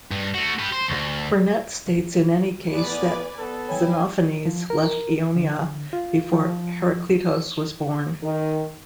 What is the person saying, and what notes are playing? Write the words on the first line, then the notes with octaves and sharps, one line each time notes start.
Burnet states in any case that ... Xenophanes left Ionia before Herakleitos was born.
G2
A3 F#4
G4 B4
C5
D2
D#2 A2 B3 B4 D5 G#5
B3 A4
E4 C#5 G5 G#5 B5
F3
A#4
D3
F4
F3
D#3